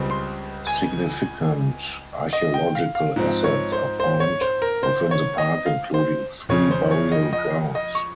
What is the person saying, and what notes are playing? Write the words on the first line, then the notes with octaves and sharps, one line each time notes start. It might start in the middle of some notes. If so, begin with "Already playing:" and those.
Significant archaeological assets are found within the park including three burial grounds.
Already playing: C#2 C#3 G3 C4
C6
G#5
D#5
G5
F5
F5
G#2 F3 C4
C#5
C5
C5
C#5
C5
A#4
C5
C#5
D#5
F5
C5
F2 C#3 F3 C#5
C5
C#5
D#5
D#5
D#5
C#6